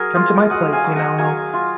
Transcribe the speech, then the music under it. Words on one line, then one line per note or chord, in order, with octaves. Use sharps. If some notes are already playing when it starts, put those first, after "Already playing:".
come to my place," you know, "it'll
Already playing: F#3 G#4 A#4
F4
F#3 D#5 F#5
F5 G#5
F#3
F#5 A#5
F#3 F5 G#5
F4